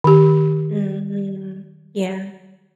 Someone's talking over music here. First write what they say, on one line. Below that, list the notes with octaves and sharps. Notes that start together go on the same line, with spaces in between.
Mhm. Yeah.
D#3 G4